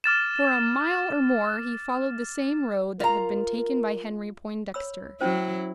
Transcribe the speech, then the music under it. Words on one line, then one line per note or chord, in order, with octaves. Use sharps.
For a mile or more he followed the same road, that had been taken by Henry Poindexter.
D6 F6 A6 E7
F4 A#4 A#5
C#5 B5 E6
F#3 C#4 E4 C5